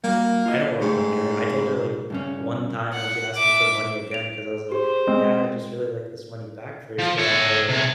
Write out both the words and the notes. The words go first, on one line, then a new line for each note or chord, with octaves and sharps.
I don't remind her. I told her, like, one time when she asked me for money again, 'cause I was, like, "Yeah, I'd just really, like, this money back first, 'cause I don't really, like,
G3 A#3 F#4
F4 F#4 D#5
G#2 C#3 A3 G4
G2 C#3 C#4
F#5
E5 D6
D7 F7
G4 G#4 C5
G#3 C4
F3
C#5 E5
C3 G#4